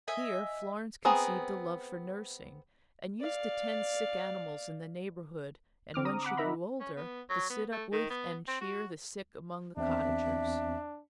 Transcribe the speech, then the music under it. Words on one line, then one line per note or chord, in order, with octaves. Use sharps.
Here Florence conceived a love for nursing and used to tend sick animals in the neighborhood and when she grew older, to sit up with and cheer the sick among the cottagers.
D#5 E5 G#5
B3 C4 G#4 A#5
D5 F5
D3 C4 D6 F6
A#5 D#6
F#5 B5 D6
D#4 A#4 E5 A#5 B5
C#4
B3
F#3
B3
A3
D#3
B3
C4
F#4
E2 C4 D4 E5